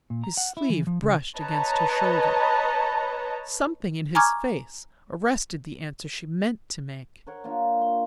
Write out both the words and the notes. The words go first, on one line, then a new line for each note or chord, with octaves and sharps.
His sleeve brushed against her shoulder. Something in his face arrested the answer she meant to make.
A#2
A#5
F#5
E4
E3
F3
C#3
B4 C#5 D#5 A5 A#5
G#5 A#5 C#6 D6 F6 G#6
A#4 C#5 F#5 C6
A#3 D4 F4 F5
C6